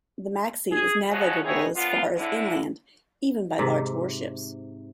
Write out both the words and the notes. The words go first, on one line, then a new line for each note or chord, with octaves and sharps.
The Maxie is navigable as far as inland even by large warships.
G#4
D3 F3 F#3 G#3 C#4 F#4
B3 C4 D#4 E4 G#4 C#5
F2 B3 D4 F4
A2 D3 G#3 E4
G#2 C3